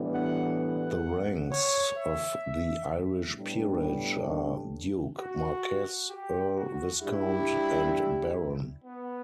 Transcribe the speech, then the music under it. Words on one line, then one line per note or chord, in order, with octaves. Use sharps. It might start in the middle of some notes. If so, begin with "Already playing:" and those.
The ranks of the Irish peerage are Duke, Marquess, Earl, Viscount and Baron.
Already playing: A2 E3 G3 B3 D4
F#5
F#5
C#5
E5
A2 G3 B3 D4
F#4
G4
F#4
G3 D4 E4 G4
B3